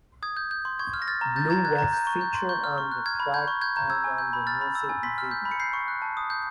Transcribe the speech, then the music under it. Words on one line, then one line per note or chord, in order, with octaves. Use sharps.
Blue was featured on the track and on the music video.
D#6 G#6
G6
G6
C6
C#6 G#6
F6
A#6
F6 A6
A#5
G6 A6
A#5 G#6
F#6 G#6
A#5
G6
C#6
G6
C6
C#6 G6
F6
C#6
F#6
F6 G#6
B5
G6 G#6
C#6
G6 G#6
A#5 G6
E6 G#6
G#5
G6
B5
F6 A6
B5
E6
G#5
C6 B6
F6
G6
B5
C#7
G6 C7
C#6
F#6
A5
D#6
G6